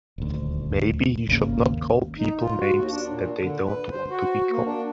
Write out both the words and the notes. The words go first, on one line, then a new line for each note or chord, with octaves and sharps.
Maybe he should not call people names that they don't want to be called.
D#1 D2
G#1 D#2 C#3 A#3
D#4
F4
F#4
D#2
D4
A#2
D3
B4
C5
F#4
A#3
D4